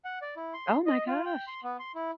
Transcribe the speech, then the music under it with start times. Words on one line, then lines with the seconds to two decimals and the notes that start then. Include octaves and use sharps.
Oh my gosh.
0.05 F#5
0.22 D5
0.37 E4
0.54 C6
0.86 D#5
1.07 F4
1.26 G5
1.47 C6
1.63 B3
1.79 C6
1.95 E4